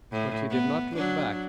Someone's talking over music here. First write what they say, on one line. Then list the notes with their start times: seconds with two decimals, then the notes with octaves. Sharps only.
But he did not look back.
0.12 A2
0.50 B3
0.96 F#3 D4